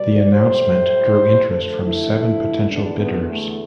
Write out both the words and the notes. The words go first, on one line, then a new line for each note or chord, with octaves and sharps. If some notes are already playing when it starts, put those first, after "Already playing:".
The announcement drew interest from seven potential bidders.
Already playing: B2 G3 D5
A2 G3 C5
G2 D3 F3 A3 C5
E4
E4
E2 D3 A3 D4
B3
A3